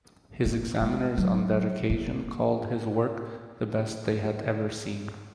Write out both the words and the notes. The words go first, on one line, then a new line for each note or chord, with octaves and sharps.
His examiners on that occasion called his work the best they had ever seen.
A#3
G#3
F#3
A#3